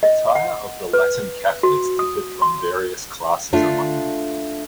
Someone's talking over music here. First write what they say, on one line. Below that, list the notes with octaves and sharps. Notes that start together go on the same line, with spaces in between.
The Attire of the Latin Catholics differed from various classes among them.
D#5
F#5
B4
F#4
D#6
C6
A3 D4 F4